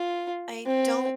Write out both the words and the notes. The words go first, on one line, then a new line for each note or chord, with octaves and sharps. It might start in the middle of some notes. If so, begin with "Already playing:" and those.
I don't
Already playing: F4
C4